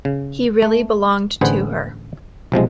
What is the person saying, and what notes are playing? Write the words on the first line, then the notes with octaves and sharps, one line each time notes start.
He really belonged to her.
C#3
A3
A1 D3 G#4 B4 C5 F#5
B1 C3 F3 G#3